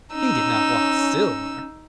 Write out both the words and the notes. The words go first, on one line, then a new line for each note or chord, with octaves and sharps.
He did not want silver.
C#4 D#4 E6